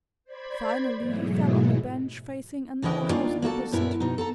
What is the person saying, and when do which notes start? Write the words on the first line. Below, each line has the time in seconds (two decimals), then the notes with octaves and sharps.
Finally he fell on a bench facing another house opposite me.
0.24 C5 D5 B5 G#6
0.97 G#2 B2 E3 F#3 G#3 A3
2.82 D2 C#3 E3 E4 D#5 G5
3.10 D#3 A#3 D4 F4
3.42 A#3 F#4 A4 A5
3.72 F#2 A#2 B3 E4 A#4 E5
4.00 B2 D#4
4.18 A4 A5 A#5